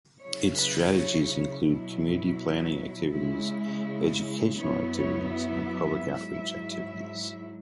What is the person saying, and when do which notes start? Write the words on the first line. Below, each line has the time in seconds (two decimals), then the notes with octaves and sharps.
Its strategies include community-planning activities, educational activities, and public out-reach activities.
0.21 C#3 F#3 E4 C#5
0.57 B4
0.93 C#5
1.66 B2 F#3 E4
3.13 C#3 G#3 E4
4.59 F#2 F#3 B3 E4 C#5
4.95 C#5
5.31 E5
6.05 G#2 F#3 E4